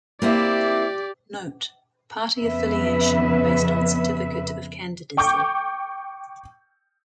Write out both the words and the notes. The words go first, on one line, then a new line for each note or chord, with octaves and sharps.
Note: Party affiliation based on Certificate of Candidacy.
A#3 C4 E4 G4 D5
F2 C#3 B3 B4 E5
G5 C#6 D6 G6